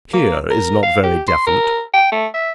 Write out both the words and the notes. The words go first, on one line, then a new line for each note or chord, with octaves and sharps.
'Here' is not very definite.
A#3
A#4
F5
G4
C6
A#4
G5
A3
E5